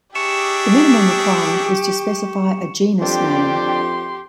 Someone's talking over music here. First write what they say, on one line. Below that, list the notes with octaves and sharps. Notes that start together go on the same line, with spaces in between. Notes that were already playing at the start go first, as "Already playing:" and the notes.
The minimum requirement is to specify a genus name.
D4 G4 G#4 E5 C#6 C#7 E7
F2 D4 G4 G5 C6